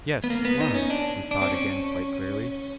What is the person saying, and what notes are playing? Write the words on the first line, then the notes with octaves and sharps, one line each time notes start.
"Yes--love," he thought again quite clearly.
B3
A#3
B3
D#4
C#4
D4
D4
C4
C#4